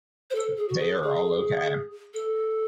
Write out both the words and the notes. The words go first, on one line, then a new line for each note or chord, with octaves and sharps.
They are all OK.
C5
A4
G#4
F#4
G#4
G#4
A4